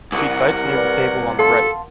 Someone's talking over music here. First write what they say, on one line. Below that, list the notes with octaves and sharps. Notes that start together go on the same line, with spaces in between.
She sites near the table on the right.
C2 A#4 F#5
B4 D5
A4 F5 A5 C6